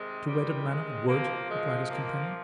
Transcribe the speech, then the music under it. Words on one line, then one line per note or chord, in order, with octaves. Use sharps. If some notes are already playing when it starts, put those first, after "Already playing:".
"To wed a man of wood," replied his companion.
Already playing: C3 D#3 G#3
G3
G#3
C3 F3 A#3
G#3
A#3